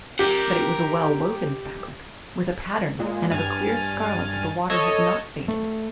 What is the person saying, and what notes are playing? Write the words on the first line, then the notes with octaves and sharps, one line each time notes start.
But it was a well-woven fabric, with a pattern, and of a clear scarlet that the water had not faded.
G4 A#4 F#5
A#2 G#3
G2 G#5 F6 A6
A4 C#5 D#5
A3